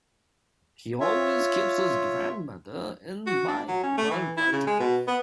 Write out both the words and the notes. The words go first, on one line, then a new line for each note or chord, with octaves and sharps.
He always keeps his grandmother in mind while writing.
F4 C#5 E5
F#4
D4
F#3
C#4
A3
E3
E4
C#3
G#3
B2
B3